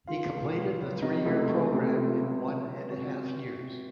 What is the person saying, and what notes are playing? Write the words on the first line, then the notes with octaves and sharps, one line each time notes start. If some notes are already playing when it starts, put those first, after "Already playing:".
He completed the three-year program in one and a half years.
C#2 F4 F5
C#2
C#2
F#3
C3 D#4 D#5
C#2 A3 A4
C#2 F#4
C3 A3 A4
C#2 F4
C3
C#2
C4
C4 F#4
C4
C4
C4